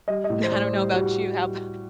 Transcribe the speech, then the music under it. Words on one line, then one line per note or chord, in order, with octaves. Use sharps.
I don't know about you, how about
G3 D#5
D#5
A2
C5
A2 D5
G3
G3 F#4